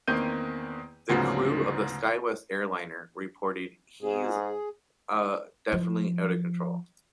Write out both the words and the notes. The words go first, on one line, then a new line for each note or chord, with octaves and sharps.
The crew of a Skywest airliner reported "He's, uh, definitely out of control".
E2 D#3 A#3 C4 G6 D#7
D2 G#2 C#3 F3 F#3 B3
G#2 G#4
F3